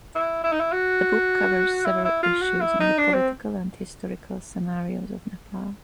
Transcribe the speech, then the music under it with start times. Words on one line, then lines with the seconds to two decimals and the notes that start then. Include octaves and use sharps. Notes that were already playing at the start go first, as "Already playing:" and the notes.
The book covers several issues in the political and historical scenarios of Nepal.
0.15 E4
0.44 E4
0.52 D#4
0.60 E4
0.72 F#4
1.86 E4
2.04 E4
2.23 F4
2.42 F#4
2.61 E4
2.80 D#4
2.98 D4
3.13 C4